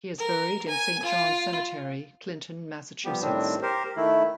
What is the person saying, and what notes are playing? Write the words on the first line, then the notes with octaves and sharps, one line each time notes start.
He is buried in Saint John's Cemetery, Clinton, Massachusetts.
A#4
G#5
F4
F3 G3 B3 G4
A2 D#3 G3 C4 D4
G4 A#4 C5
D#3 A3 E4